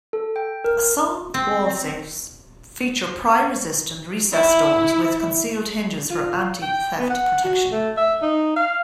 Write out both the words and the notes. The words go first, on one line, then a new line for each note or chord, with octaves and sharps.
Some wall safes feature pry resistant recessed doors with concealed hinges for anti-theft protection.
A4
G5
A#4
C4
E4
F4
G5
B3
F#5
F#4
A3
E5
D#4
F5